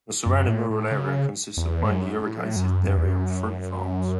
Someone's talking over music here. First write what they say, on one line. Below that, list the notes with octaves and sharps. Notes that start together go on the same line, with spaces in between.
The surrounding rural area consists of mainly irrigated dairy and fruit farms.
F#2
A2
A2
C#3
E2
G#2
F#2
A2
F#2
F#2
E2
F#2